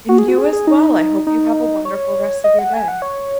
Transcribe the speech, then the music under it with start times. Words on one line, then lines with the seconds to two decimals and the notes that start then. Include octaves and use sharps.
And you as well, I hope you have a wonderful rest of your day.
0.09 F#4
0.18 G#4
0.28 F#4
0.38 G#4
0.53 G#4
0.67 D#4
1.27 D#4
1.85 C#5
2.44 D#5
2.59 F#5
2.74 G#5
2.88 F#5
3.02 C#5